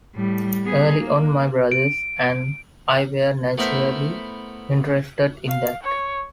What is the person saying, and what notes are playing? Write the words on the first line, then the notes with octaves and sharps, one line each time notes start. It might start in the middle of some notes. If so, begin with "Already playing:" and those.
Early on, my brothers and I were naturally interested in that.
A2 G3
B3 G#4
A#3
D7
A3 B3 E4 A#4 C5 E5
F5
C#5